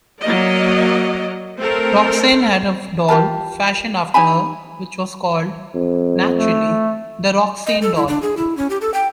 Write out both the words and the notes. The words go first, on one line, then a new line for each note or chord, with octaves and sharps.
Roxanne had a doll fashioned after her which was called, naturally, "The Roxanne Doll".
F#3 A#3 D5 D#5
A3 C4 A4 A#4
F4 G4 A#4 A5
D#4 G4 G#5 B5
F2
A3
D#5
A4
E4
D4
G#4
E4
C#4
G4
A4
G5